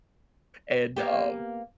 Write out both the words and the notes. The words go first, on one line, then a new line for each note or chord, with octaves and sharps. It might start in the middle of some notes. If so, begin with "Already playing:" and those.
And, um,
A#3 B3 G4